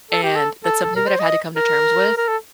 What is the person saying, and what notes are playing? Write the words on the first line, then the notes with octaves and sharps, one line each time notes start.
And that's something that I've had to come to terms with,
A4
G4
A4
A4
A4
A#4
C5
D#5
A#4
A#4
A4